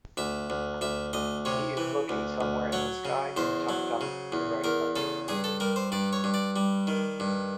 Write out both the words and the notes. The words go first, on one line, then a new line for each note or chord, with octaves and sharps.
He is looking somewhere in the sky and tucked up the right leg.
D2 E5
D2
D2 E5
D2 D#5
C3 C#5
E3
D2
D2
F#3 C#5
C#3
E2 C5
F#3
C#3
E2
E2 A#4
C#3 A4
G2 G#4
A4
G3 A#4
C5
G2 D5
C#5
G2
D5
G3
D#3
G2